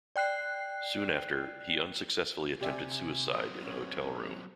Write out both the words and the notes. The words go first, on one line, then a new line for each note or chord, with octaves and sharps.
Soon after, he unsuccessfully attempted suicide in a hotel room.
D5 G5 F#6 C7
C3 G4 D5 E5 G#5
F#3 B3 C4 D#6
C#4